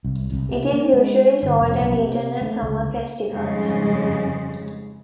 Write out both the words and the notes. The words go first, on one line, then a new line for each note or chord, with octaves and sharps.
It is usually sold and eaten at summer festivals.
C2
C2
C3
A#3
G#3
G1
F1
B1
C3
A3
C#2
F2 G#2 C#3 G3 G#3